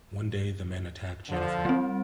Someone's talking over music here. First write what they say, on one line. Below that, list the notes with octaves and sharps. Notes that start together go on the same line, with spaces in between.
One day, the men attack Jennifer.
D3 F3
G3 C4